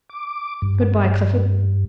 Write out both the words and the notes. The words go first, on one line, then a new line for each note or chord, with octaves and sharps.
Good-bye, Clifford.
D6
G2